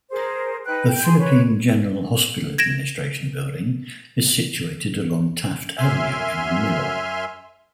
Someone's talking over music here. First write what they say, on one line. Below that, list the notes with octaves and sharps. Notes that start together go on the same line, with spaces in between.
The Philippine General Hospital Administration Building is situated along Taft Avenue in Manila.
G#4 A#4 C5
D#4 B4 G5 F#6
G5 G6
G#4 C6
B4 C#5
G#6 A#6 D7 E7
F#2 E5 G#5 C6 F6